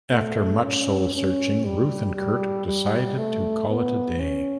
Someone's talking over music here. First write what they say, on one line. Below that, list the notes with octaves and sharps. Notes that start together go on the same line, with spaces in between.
After much soul- searching, Ruth and Kurt decided to call it a day.
A3
C#4
C#4
G3
G3
G3
A3
B3
C#4